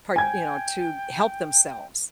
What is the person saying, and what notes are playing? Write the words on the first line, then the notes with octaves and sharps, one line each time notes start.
part you know, to help themselves.
G5 G#5 G#6